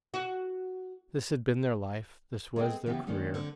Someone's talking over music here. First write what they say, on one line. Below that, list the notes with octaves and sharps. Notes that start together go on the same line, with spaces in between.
This had been their life; this was their career.
F#4
G#3 B3 C4 G#4 A4 G5
C#3 E3 B3 C#4 E4 G4
D#3 G#3 A#3 C#4 D4
D3 C4